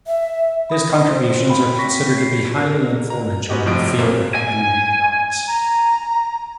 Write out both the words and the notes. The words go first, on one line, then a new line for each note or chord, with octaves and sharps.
His contributions are considered to be highly influential in the field of animated arts.
E5
B5 D#6 A#6
D4 C5 C6
C#5
F5 G5 B5
C4 C#5 C#6 A#6 B6
C7
A#4
A#5
B3 C#4 F#4 G4 D#5
A#1 A2 C3 F3 D#5 D7
B1 A#3 C4 A4
G#5
A#5